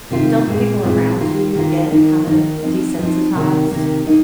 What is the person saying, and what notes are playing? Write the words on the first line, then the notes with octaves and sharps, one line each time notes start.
don't the people around you get kind of desensitized,
C3 D#3 A#3 F4
A#2 G#3 C4 F4
A#2 G#3 C4 F4
D#3 A#3 F4
D#3 A#3 F4
D#3 A#3 D#4
D#3 A#3 D#4
F3 C4 D#4
F3 C4 D#4
C3 D#3 A#3
C3 D#3 A#3
A#3 D#4